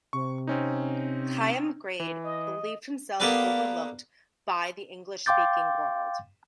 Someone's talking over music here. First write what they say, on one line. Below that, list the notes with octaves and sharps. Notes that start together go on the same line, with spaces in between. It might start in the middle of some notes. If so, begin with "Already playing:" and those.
Chaim Grade believed himself overlooked by the English-speaking world.
C3 C#6
C4 C#4 D#4
E3
D#5
A#3 B3 G4 A4 B4 D5
F5 G5 C6 D6 G6 A6